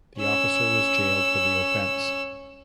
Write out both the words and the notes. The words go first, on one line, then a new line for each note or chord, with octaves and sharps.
The officer was jailed for the offence.
C#4 E6